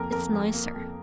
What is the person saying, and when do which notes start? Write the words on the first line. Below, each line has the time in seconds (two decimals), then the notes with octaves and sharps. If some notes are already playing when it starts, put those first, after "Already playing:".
"It's nicer."
Already playing: F2 A#3 A#4
0.12 F2 A#4
0.32 F2
0.53 A#3
0.74 F2